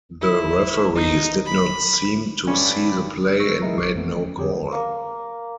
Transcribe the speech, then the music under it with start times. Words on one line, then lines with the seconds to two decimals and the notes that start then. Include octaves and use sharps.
The referees did not seem to see the play and made no call.
0.21 E4
0.95 D#4
1.46 B5
2.47 G2 C#4 D5 B5
3.39 C#6 E6 A#6
3.62 E4 G#4 A#4 D#5 E5 A#5
3.78 A1 C#6 D6 C7
3.95 F2 E3 A3 B3
4.20 C#4
4.37 F2 D3 G4 G#4 C#5
4.72 A#3